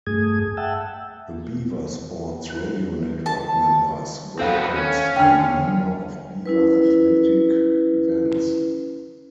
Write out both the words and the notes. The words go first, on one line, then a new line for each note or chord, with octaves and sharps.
The Beaver Sports Radio Network members broadcast a number of Beaver athletic events.
G2 A3 G#4 D#6 G#6
E5 F#5 G5 A5 E6
A5
C4 F#4 A4 B4 F5
C#4
D3 G5 G#5 F6
C#4 E4 B4